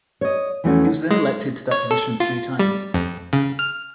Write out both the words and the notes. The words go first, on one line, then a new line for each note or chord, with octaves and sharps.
He was then elected to that position three times.
C#5 D#5
E2 E3 F3 A3 C#4 F#4
G#3
C#5
A4
F4
G3
F2
C#3
F6